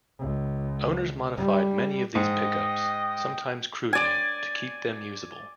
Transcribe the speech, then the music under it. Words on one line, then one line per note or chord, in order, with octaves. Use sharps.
Owners modified many of these pickups, sometimes crudely, to keep them usable.
C#2
G3
G#2 D#5 G5
D5 G#5